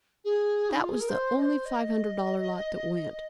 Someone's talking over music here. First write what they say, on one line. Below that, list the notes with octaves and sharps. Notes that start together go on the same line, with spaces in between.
That was the only five-hundred-dollar lot that went.
G#4
D#4
F4
G#4
A#4
C5
D#5
C5
D#5